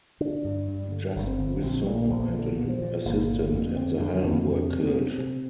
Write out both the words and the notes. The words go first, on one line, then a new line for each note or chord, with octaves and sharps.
Just Buisson and an assistant at the helm were killed.
D3 D4
G2
G2
D3
G1
A#3
C4
D3
A#1 C4
F3
A#2 G3
D3
A#1 F3
A#2 D3
A#2
F3
A#2
G1 A#3
D3
F2
D3 C4
F2 D4
F2 C4
C3
C3
C3
C3